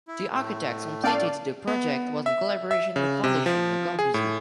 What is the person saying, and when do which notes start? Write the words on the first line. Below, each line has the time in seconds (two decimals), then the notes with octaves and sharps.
The architects completed the project was in collaboration with Fondation Le Corbusier.
0.08 E4
0.34 A2 A3
1.04 C#4 D5 F5 A5
1.67 B3
2.26 E5
2.71 E5
2.96 C#3
3.24 C3
3.46 F3
3.99 G#4
4.14 A2